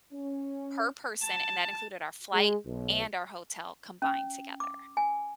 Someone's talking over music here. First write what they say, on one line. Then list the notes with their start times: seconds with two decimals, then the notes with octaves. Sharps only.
per person, and that included our flight and our hotel combined together.
0.12 C#4
1.24 A5
2.33 G#3
2.67 B1
4.02 C#4
4.60 D6
4.97 G#5